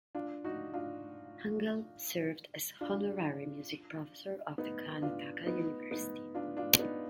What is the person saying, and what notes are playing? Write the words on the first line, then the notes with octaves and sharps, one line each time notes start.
Hangal served as honorary music professor of the Karnataka University.
D4 F4
D#4 F#4
D4 F4
D4 F4
B3 D#4
D4 F4
B3 D#4
B3 D#4
D4 F4
D4 F4
B3 D#4